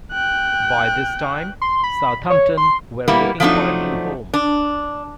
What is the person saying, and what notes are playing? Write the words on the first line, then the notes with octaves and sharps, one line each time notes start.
By this time, Southampton were looking for a new home.
G5 F#6
C6
B5
C#5
C6
G3 A#3 B3 E4
F3 F#3 A3 C4 D4 D#4
D4